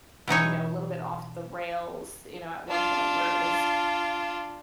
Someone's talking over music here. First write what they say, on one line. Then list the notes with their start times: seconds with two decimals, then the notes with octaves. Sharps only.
you know, a little bit off the rails, you know, at one point, where it was
0.28 B2 E3 D#4 C#5
2.68 D4 F4